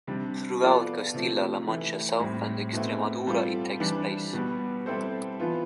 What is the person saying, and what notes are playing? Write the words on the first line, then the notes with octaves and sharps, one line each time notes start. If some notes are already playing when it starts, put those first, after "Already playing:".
Throughout Castilla-La Mancha South and Extremadura it takes place.
C3 G3 D4
F3 B3 F4 A4 D5
C3 F3 A3
E3 A3 E4
A2 G3 C4
B2 A3 C4 E4
G3 C4 F4 A4
E3 G3 D4
B2 G3 B3
G3 C4 E4 A4 C5
E3 B3 F4